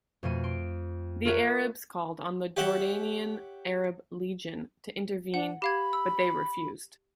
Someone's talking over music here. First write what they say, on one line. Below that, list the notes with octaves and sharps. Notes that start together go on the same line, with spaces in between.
The Arabs called on the Jordanian Arab Legion to intervene but they refused.
F2 B2 A3 D#7
C6 D7
F4 A4 A#4 C#5 E5 F#5
G4 C#5 E5 F#5 G5
D4 F#5
G4 F5 B5 G#6
E6